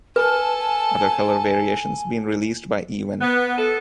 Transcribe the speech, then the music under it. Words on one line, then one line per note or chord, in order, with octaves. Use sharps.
Other color variations been released by eWin.
A4 B4 G#5 A5
B3
A4